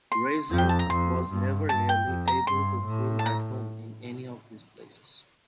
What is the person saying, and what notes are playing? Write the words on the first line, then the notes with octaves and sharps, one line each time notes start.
Reiser was never really able to feel at home in any of these places.
C6
F2
G5
A5
A#5
F2 C6
G2
G2 A5
G5
F2
A#5
G2 C6
A2
A5
A#5